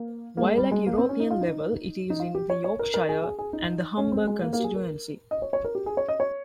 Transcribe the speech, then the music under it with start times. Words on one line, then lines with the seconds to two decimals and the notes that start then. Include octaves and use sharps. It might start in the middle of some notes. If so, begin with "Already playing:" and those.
While at European level it is in the Yorkshire and the Humber constituency.
Already playing: A#3
0.37 A#3
0.42 G#3
0.57 G3
0.72 G#3
0.86 A#3
0.98 C4
1.09 C#4
1.20 D#4
1.31 F4
1.41 D#4
2.10 D#4
2.20 F4
2.35 G4
2.50 C#5
2.64 C#5
2.79 A#4
2.94 A#4
3.09 G#4
3.24 G#4
3.39 G#4
3.53 D#4
3.97 C#4
4.12 C4
4.27 G#3
4.42 A#3
4.53 A#3
4.60 G4
4.64 G#4
4.75 A#4
5.31 D#5
5.42 C#5
5.53 C#5
5.64 A#4
5.75 G4
5.86 G#4
5.97 C#5
6.08 D#5
6.20 C#5